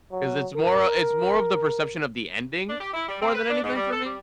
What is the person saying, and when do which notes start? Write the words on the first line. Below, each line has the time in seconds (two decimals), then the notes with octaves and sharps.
'Cause it's more o it's more of the perception of the ending, more than anything for me.
0.12 F#3
0.56 A#4
2.68 D4
2.80 G4
2.94 E4
3.08 G3
3.21 C4
3.34 B4
3.49 D4
3.63 G#2
3.75 G3
3.93 A4
4.05 G3